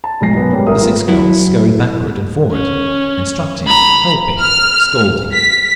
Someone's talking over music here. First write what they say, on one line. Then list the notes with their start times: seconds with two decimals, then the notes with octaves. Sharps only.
The six girls scurried backward and forward, instructing, helping, scolding....
0.04 A5
0.21 F1 B1 G#2 G#5 A#6 C7
0.35 F#2 B2 A#3 B3
0.52 G3 G#3 A#3 C#4
0.67 G#1 A#4 E5 D#6
0.81 B3 F4 A#4 B4
1.08 F#3 E4
2.52 C#4
3.68 A#5 B5
4.40 F6
5.33 B6